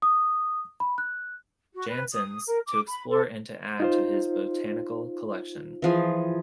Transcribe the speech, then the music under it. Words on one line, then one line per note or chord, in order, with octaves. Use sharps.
Janssens to explore and to add to his botanical collection.
D#6
B5
F#6
F#4
B4
D#6
A#4
D6
B5
A4
D#4 F4 C5
E3 F3 G#4